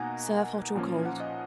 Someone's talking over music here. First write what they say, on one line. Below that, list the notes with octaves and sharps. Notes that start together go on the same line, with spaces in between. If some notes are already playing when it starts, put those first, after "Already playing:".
Serve hot or cold.
Already playing: B2 A#3 D#4 F#5 G#5 A#5
A#2 F3 A#3 C#4
F#5
D#5